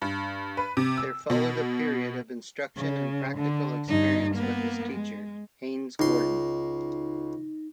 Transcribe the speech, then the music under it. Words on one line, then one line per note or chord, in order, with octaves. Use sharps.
There followed a period of instruction and practical experience with his teacher, Hayes Gordon.
G2
B4
C3
E6
B2
C#3
D3
G2 D#4
A#3 B3
G#3
C#2 D#4 C6